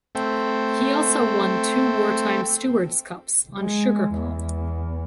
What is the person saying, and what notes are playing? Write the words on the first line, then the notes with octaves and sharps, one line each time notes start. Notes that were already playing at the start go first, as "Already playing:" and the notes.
He also won two wartime Stewards Cups on Sugar Palm.
A3 C4
G#3
E2